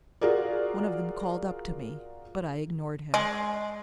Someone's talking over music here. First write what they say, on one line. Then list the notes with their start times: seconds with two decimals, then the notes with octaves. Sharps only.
One of them called up to me, but I ignored him.
0.21 F4 F#4 G#4 A#4 D5
3.14 G#3